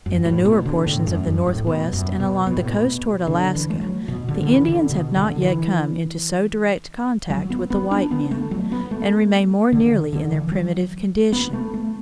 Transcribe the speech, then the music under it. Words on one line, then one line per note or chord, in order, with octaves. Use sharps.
In the newer portions of the Northwest and along the coast toward Alaska the Indians have not yet come into so direct contact with the white men, and remain more nearly in their primitive condition.
F#2
A2
B2
D3
A2
F#2
F#2
A2
B2
F#2
B2
B2
A2
B2
D3
E3
A3
F#3
B2
D3
D3
E3
D3
B2
D3
E3
F#3
B3
B3
D4
B3
A3
F#3
B3
A3
D3
D3
E3
F#3
B3
A3
A3